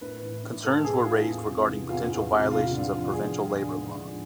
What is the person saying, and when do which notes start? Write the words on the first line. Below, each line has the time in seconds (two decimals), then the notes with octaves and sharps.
Concerns were raised regarding potential violations of provincial labour laws.
0.01 A2 B4
0.22 E3
0.43 A2
0.64 E3 A4
0.85 A2 G#4
1.05 E3 F4
1.27 E2
1.47 C3
1.68 E3
1.89 E2 F4
2.10 E2
2.31 C3
2.51 E2 F4
2.72 D3
2.93 F3
3.13 E2 G#4
3.34 E2
3.55 D3
3.76 G#2
3.97 F3